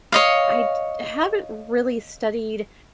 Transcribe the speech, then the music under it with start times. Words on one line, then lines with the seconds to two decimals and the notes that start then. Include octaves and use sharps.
I d haven't really studied
0.12 C#5 D#5 F5